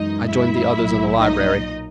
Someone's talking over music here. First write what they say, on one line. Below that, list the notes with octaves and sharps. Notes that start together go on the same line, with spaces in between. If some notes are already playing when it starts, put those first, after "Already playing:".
I joined the others in the library.
Already playing: F#2 E3 G#3 D#4 D#5
E4 E5
B1 A#2 F#3
D#4 D#5